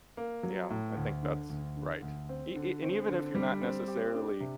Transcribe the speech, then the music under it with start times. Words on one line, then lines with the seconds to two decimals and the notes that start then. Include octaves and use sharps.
Yeah, I think that's right. E e and even if you're not necessarily
0.17 A#3
0.43 F#3
0.70 A2
0.97 D2
1.23 D3
1.50 D2
1.77 D3
2.02 D2
2.29 C4
2.56 D3
2.83 C4
3.09 D3
3.35 G3
3.62 C4
3.88 G4
4.14 D4
4.40 C3